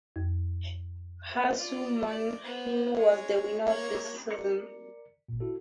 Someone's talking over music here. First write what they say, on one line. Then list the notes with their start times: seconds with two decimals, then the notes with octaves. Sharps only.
Hsu Mon Hnin was the winner of this season.
0.16 F2
1.57 F4 D5
2.06 D5
2.44 B3 C5
2.96 G#3 C#5
3.66 A#3 C#5
4.32 A#4 D5 C#7
5.29 G#1 A#2
5.40 E4 F#4 A4